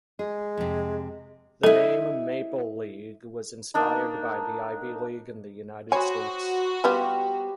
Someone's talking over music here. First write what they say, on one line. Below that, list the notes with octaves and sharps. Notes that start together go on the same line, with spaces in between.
The name "Maple League" was inspired by the Ivy League in the United States.
G#3 G#4
F2 C3
E4 A4 D#5
A#3 D4 D#4
F#4 C5 C#5 G#5 B5 D#6
G3 B3 F4 G4